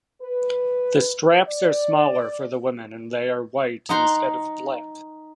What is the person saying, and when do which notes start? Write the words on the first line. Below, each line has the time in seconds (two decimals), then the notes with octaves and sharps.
The straps are smaller for the women and they are white instead of black.
0.22 B4
1.47 D5
3.89 D#4 F#5 A#5 C6